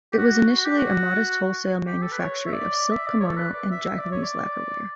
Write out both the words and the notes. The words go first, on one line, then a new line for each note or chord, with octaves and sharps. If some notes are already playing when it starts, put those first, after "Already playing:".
It was initially a modest wholesale manufactory of silk "kimono" and Japanese lacquerware.
G4
F#4
F#4
G4
F#4
G4
A4
B4
C#5
E5
D5
E5
D5
C#5
A4
B4
D5
E5
E5
D5
C#5
D5